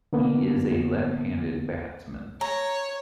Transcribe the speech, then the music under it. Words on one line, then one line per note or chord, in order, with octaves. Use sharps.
He is a left-handed batsman.
D3 A#3 B3
C#5 A#5